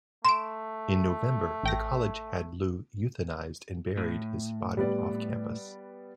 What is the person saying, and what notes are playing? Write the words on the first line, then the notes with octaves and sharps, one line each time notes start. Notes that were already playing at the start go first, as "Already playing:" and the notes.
In November, the college had Lou euthanized and buried his body off campus.
A3 C6 D7 E7
A1 G5 A#6
A2
G3 B3 D5